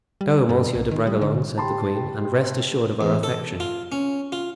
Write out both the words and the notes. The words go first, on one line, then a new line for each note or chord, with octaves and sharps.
"Go, Monsieur de Bragelonne," said the queen, "and rest assured of our affection."
G3
G2
B1
D#3
G3
D3
G4 G5 A5 B5 C6
E2
A4
F4
C#4
F4